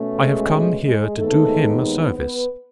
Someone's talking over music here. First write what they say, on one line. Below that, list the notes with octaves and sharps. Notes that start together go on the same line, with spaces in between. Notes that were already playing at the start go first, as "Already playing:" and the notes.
I have come here to do him a service.
Already playing: B2 A3 C#4
G#3 G#4
G#3 G#4
D#2 D#3 G#3 A3 B3 D#4 A4
B3 B4